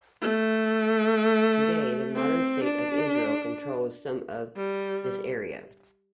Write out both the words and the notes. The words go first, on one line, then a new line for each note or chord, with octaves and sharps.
Today the modern State of Israel controls some of this area.
A3
C4
D4
G3